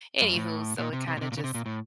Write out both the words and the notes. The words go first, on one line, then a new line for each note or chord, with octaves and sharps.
anywho, so, it kinda just
F#2
A2
A#2
C3
C3
A#2
C3
A#2
C#3
C3
A#2
A2